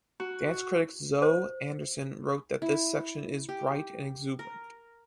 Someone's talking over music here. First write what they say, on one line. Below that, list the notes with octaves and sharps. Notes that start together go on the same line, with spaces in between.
Dance critic Zoe Anderson wrote that this section is "bright and exuberant".
F#4
C5
E4
G4
A#4